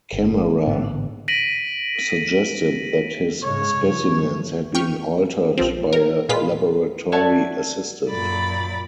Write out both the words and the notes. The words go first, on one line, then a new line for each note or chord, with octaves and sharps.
Kammerer suggested that his specimens had been altered by a laboratory assistant.
G1
A1 G#2 D3 B3
A#6 B6 D7 D#7 F#7
G#2 C#3 G#3 C#5
G2 F3
G5 C#6 F6
A#1 F3 C4
A#4
A#2 G#3 F4 B4 B6
C#5 D5 E5 F#5 A5
F#2 A#2 D5 B5 A6